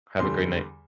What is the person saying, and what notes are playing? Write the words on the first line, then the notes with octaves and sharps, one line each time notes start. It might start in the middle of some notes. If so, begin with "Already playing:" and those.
Have a great night.
E2 D3 G3 C6